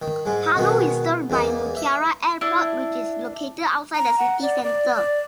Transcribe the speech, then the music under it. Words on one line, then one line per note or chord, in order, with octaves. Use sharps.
Palu is served by Mutiara Airport, which is located outside the city center.
D#3
G#2 G#3
B2 D#3 G#3 B3
E2 A#3 D#4
E5
D4 E4
A#5
F#5
D5
D5
D5